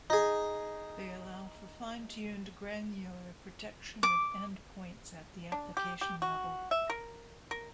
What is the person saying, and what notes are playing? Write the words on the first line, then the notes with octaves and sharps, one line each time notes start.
They allow for fine-tuned, granular protection of end points at the application level.
D#4 G#4
D6
D4
G4
G4
F#4
E5
A#4
A#4